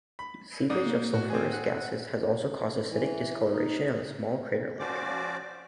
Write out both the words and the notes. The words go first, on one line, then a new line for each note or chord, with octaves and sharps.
Seepage of sulfurous gases has also caused acidic discolouration of the small crater lake.
B5
G#2 D5 D#6
A#3
A2 F#4
C4 G#4
F#5
E3
D#4
F3 C#4 F#4 C5 D5 D6